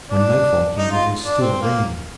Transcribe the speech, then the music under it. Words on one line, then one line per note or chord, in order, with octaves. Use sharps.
When nightfall came it was still raining.
D4
D#4
F4
D4
C4
A#3